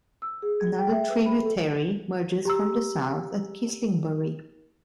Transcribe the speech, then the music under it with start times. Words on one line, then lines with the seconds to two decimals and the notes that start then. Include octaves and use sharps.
Another tributary merges from the south at Kislingbury.
0.22 E6
0.42 G#4
0.60 G#6
0.78 G5
0.92 E5
1.09 B4
1.26 B5
1.43 A4
2.45 G4 A#5 E6